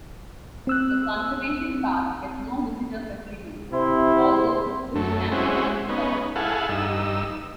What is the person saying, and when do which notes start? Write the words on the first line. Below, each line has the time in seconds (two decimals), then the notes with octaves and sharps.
The conservation park has no visitor facilities, although bush camping is permitted.
0.67 C4 E6 F#6
3.73 C3 E4 C5 C6
4.96 F#2 A3
5.32 G#3 C4 C#4 E4 F#4
5.89 B3 C#4 D#4
6.35 E4 G#4 A4 F5 F#5
6.69 G2 D#4 E6